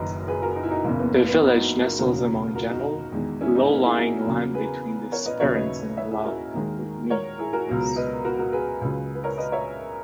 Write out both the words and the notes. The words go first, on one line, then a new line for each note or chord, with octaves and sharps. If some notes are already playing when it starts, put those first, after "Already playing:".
The village nestles among gentle, low-lying land between the Sperrins and Lough Neagh.
Already playing: F#1 F#2 D#3 F#3 A#4 B4 D#5
G#4 B4
F#4 A#4
D#4
E4
D#4 F#4
F#1 E2 C#3 A#3
B3
A#3
B3
B3 D#4
D#4 F#4
F#4 A#4
E1 D#2 C#3 F#3 F#4 A#4
F#4 A#4
D#4 F#4
E2 D#3 G#3
C#4 E4
B3 D#4
A#3
E4 G#4
F#4 A#4
E2 C#3 F#3
G#4 B4
A#4 C#5
B4 D#5
D#2 C#3 F#3 C#5 E5
B4 D#5
C#5 E5
E4 G#4
F#4 A#4
D#2 D#3 G#3
A#4 C#5
E4 G#4
F#4 A#4
C#2 B2 F#3
B4 D#5
F#4 A#4
F#4 A#4
G#4 B4
C#2 C#3 F#3
B4
A#4 C#5
B4 D#5
C#5 E5